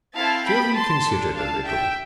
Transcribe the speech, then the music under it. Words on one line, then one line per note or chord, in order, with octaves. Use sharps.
Sylvie considered a little.
C4 E4 A4 F5 A5
G5 B5
A5 C6
A4
D4
F5 A5
E5 G5